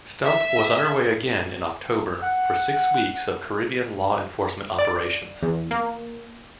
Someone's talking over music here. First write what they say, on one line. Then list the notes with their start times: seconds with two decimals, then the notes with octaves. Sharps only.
"Stump" was underway again in October for six weeks of Caribbean law enforcement operations.
0.24 E5
2.22 F#5
4.79 D5
5.42 E2
5.71 A#3